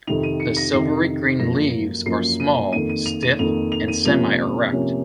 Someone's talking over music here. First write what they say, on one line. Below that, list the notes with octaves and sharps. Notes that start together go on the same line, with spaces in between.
The silvery-green leaves are small, stiff and semi-erect.
F2 C3 D#3 F7
D#7
C#7
A#6
F2 C3 D#3 C7
F#2 F3 A#3 A#6
F#2 F3 A#3 C7
D#7
F2 D#3 A#3 D#7
D#7
F7
D#7
F2 D#3 A#3 F7
F7
D#7
C3 F3 A#3 C#4 F7
C3 F3 A#3 C#4